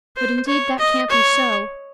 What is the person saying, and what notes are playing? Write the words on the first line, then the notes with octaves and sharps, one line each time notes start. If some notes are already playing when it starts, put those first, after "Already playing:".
But indeed that can't be so.
C5
C#5
D#5
C#5